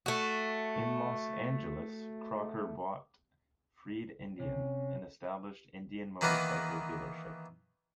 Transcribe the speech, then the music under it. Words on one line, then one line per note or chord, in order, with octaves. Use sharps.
In Los Angeles, Crocker bought Freed Indian, an established Indian Motorcycle dealership.
A3 F#4
C3 C#4
D#3 E3 A#3 B3 D#5